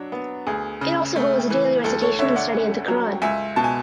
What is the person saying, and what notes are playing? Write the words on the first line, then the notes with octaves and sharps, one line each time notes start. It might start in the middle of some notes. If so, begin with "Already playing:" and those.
It also holds daily recitation and study of the Quran.
Already playing: F#3 D4
B3
D2 G#4
C#3
A3
E3
D2 A4
A4 C#5
D3 C#5 E5
D5 F#5
C#4
F#3
C#2 E5 G#5
B2 A5
G#5